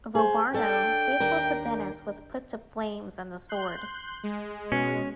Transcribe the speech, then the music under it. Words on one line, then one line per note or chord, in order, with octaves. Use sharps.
Vobarno, faithful to Venice, was put to flames and the sword.
G#4 C5
D4 A4 C#5 G5
D#2 D4 A#4
C6 F#6 G6
G#3
B2 C#4